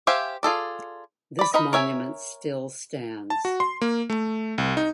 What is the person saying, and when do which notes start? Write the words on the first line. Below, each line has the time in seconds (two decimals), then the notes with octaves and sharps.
This monument still stands.
0.07 G4 C5 E5 F5 G#5
0.43 F4 G#4 A4 D5
1.39 D5 B5
1.54 D#4 A#4 D#5 A#5 B5
1.73 A#4 C#5 E5 G#5
3.30 A5
3.45 F#4
3.60 C6
3.81 A#3
4.10 A3
4.58 C2
4.77 D#4